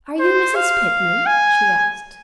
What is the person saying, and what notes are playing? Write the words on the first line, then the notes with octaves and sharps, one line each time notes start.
"Are you Mrs. Pitman?" she asked.
C5
F5
G#5